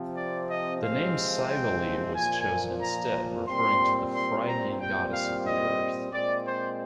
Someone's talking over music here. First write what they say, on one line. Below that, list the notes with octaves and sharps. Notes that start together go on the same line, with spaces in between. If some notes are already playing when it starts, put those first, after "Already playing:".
The name Cybele was chosen instead, referring to the Phrygian goddess of the earth.
Already playing: C3 F3 C4
D5
D#5
C3 F3 G#3 C4 F5
G5
A#2 F3 A#3 G#5
A#5
A#2 G3 C4 C6
C6
A#5
A#2 G3 C4 G5
F5
D#5
A#2 G#3 C4 D5
C5